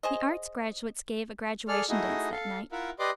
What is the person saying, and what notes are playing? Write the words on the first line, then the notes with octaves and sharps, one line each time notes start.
The Arts graduates gave a graduation dance that night.
G#4 C5 D#5
G#4 A4 D5 F6
A3 D#4 E4 F#4 G#4 D#5
A4 F5
E4 F4 A#4 E5 F#5
G4 B4 D5 D#5 C6 D6